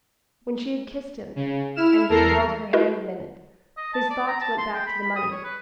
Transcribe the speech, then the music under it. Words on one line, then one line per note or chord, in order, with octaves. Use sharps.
When she had kissed him, and he had held her hand a minute, his thoughts went back to the money.
C#3
E4 F6 E7
E2 A4 A#4 A#5 C7
E4 F#4 A#4 B4 D#5
D#5
A5
D5
A#5
A5
C6
G5
B5
B5
D#6
C#5
B4